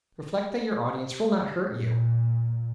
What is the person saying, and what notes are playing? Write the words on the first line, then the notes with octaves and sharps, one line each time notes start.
Reflect that your audience will not hurt you.
A#2